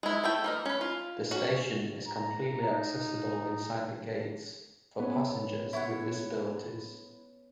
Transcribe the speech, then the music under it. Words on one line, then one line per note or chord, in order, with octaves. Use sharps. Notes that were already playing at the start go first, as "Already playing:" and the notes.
The station is completely accessible inside the gates for passengers with disabilities.
G#3 E4
A3 E5 G5
E3 A#4 D#5
C#4 B4
F4
C#4 F#4
A#5
D#4
B3 C#4
E4 C#5 F#5